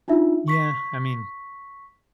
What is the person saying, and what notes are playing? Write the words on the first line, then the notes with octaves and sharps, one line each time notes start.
Yeah, I mean
D4 D#4 F4 E5
C#6 B6